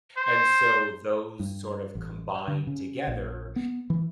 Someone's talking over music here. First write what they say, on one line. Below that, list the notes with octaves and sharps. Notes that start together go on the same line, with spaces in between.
and so, those sort of combined together
C5
G2
A1
D3
C#3
A#1
B3
E3